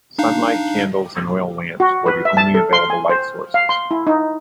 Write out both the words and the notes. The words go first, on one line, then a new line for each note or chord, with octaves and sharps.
Sunlight, candles and oil lamps were the only available light sources.
D4 D#4 F5
F#4
B4
E5
A5
A4
C6
G#5
C5
F5
C6
E4
D#4